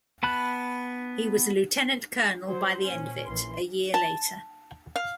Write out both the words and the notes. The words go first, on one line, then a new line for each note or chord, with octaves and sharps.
He was a lieutenant colonel by the end of it, a year later.
B3 A5 B5 F#6
F#3 C5
A#2 C#4
A#1 E3 C6
A5
F5